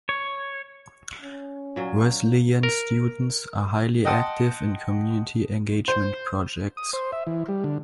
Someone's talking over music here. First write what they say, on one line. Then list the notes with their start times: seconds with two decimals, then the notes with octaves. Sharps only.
Wesleyan students are highly active in community engagement projects.
0.09 C#5
1.21 C#4
1.76 A#2 F#3
2.63 A#4
4.05 D#5 F#5 G5 A5 C6 D#6
5.88 C5
6.77 D#6
6.93 C5
7.12 E5
7.27 E3
7.49 G3
7.64 D3